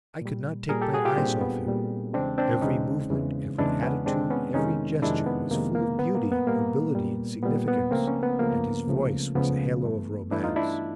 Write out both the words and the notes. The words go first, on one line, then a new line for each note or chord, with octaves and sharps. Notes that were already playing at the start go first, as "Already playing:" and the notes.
I could not take my eyes off him; every movement, every attitude, every gesture was full of beauty, nobility and significance, and his voice was a halo of romance.
A#2 G3
A#2 G3 G#4 A#4
G4 A4
F#4 G#4
F4 G4
A#2 G3 C4 D4
B3
A#2 G3
E2 C#3 E3 G#3 C4 D4
C4 D4
E2 C#3 E3 G#3 C#4 D#4
E2 C#3 E3 G#3
E2 C#3 E3 G#3 D4 E4
B3 C#4
F2 C3 D#3 G#3 C4 D4
B3 C#4
F2 C3 D#3 G#3 C#4 D#4
F2 C3 D#3 G#3 D4 E4
B3
F2 C3 D#3 G#3 A#3
A#3
A#2 G3 B3
A#3
B3
A#2 G3 A#3
A#2 G3
A#2 G3 B3
B3
C#2 C#3 F3 A3 A#3 C4
B3 C#4
B3
C#2 C#3 F3 A3 A#3
C#2 C#3 F3 A3
C#2 C#3 F3 A3 B3
G2 E3 A3
G2 E3 A3 D4 E4
D#4 F4
D4 E4